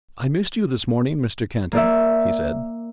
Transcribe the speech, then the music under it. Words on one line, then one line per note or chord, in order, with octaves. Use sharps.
"I missed you this morning, Mr. Kenton," he said.
A#3 D5 E5